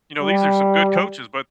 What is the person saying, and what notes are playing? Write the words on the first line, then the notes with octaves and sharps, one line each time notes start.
You know, these are some good coaches, but
G3